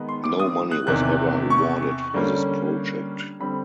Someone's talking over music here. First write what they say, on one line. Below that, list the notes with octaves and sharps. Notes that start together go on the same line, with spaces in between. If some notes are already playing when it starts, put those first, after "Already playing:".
No money was ever awarded for this project.
Already playing: D#3 G#3 B3 D#4
C6
D6
D#6
F#6
E2 C3 D#3 F#6
C#6
D3 G3 A#3 C#4
D3 G3 C4 B5